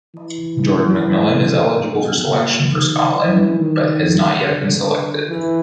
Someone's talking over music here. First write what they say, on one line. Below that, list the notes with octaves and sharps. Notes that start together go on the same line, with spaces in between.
Jordan McMillan is eligible for selection for Scotland but has not yet had been selected.
E3
B2
A#2
D#3
E3
D#3
D3
E3